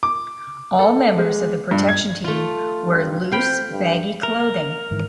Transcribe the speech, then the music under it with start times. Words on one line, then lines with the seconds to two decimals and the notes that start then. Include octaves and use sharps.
All members of the protection team wear loose, baggy clothing.
0.03 D6
0.79 A4
1.17 G#3
1.71 G2
1.89 G#6
2.24 A3 F4
2.86 G2
3.31 C4 F5 G5 B5
3.70 G2
4.23 A#4
4.91 G#2 D#3 E3